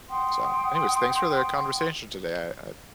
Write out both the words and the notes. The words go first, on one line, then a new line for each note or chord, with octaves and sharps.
So, anyways, thanks for the conversation today. I I
F#5 G5 C6 D#6